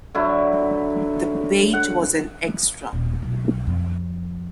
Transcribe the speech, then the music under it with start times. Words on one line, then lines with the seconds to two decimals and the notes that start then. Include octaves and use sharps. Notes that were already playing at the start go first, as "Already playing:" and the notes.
The bait was an extra.
0.15 D3 F#3 E4
1.73 F#5
2.93 D#1 A#2
3.22 B1
3.67 F2